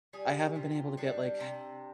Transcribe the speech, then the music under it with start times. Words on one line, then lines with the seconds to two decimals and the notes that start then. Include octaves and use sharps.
I haven't been able to get, like,
0.13 G3 G#4
0.56 C3 F4
0.97 G3 D4
1.40 C3